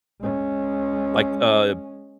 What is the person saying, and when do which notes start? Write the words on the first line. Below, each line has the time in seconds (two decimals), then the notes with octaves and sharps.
like, a
0.21 G#3 C#4